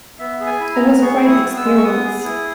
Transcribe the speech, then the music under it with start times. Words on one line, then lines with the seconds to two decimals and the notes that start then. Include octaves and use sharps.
It was a great experience.
0.19 B3 E5
0.40 G#4
0.47 G#5
0.60 E4
0.75 A#5
0.82 B3
1.02 G#4 C#6
1.22 E4
1.29 D#6
1.43 B3
1.57 E6
1.64 G#3
1.77 C#6
1.83 B3 D#6
2.04 G#4
2.25 E4